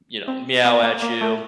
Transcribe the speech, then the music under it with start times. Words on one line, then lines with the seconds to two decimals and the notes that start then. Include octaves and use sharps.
you know, meow at you.
0.28 C4
0.65 B3
0.83 A#3
1.02 A#3
1.21 A3